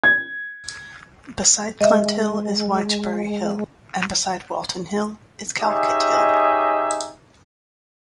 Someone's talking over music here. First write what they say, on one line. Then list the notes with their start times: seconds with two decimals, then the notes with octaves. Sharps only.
Beside Clent Hill is Wychbury Hill and beside Walton Hill is Calcot Hill.
0.04 G#6
1.81 G#3 D#5 E5
5.60 C#4 D#4 G4 G#4 D#5 E5